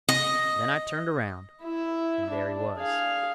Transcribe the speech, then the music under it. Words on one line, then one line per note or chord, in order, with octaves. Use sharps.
Then I turned around and there he was.
D#5
E4 E5
D4
G#4 F5